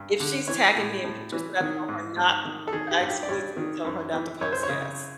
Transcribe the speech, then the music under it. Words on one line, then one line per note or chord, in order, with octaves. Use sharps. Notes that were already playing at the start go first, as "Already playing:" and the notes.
If she's tagging me in pictures that I told her not to post I explicitly told her not to post, yes.
Already playing: G2
D3
E3 C#5
A2
A2
E3
D#3
G#2
G#2
D#3
A4
D#3 G#4
G4
G2
G4
D5
G2 C#5
D#3
F#2
E3
F#2 C#5
C5
C#5
C#3